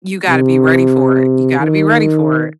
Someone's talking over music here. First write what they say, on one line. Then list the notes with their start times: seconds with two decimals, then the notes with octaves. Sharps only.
You gotta be ready for it. You gotta be ready for it,
0.29 C3
1.60 D#3